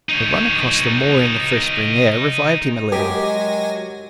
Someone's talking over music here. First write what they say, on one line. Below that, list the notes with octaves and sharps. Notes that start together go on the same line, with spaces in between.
The run across the moor in the fresh spring air revived him a little.
D#4 C#5
F#3 G#3 G4 A#4 G#5 A#6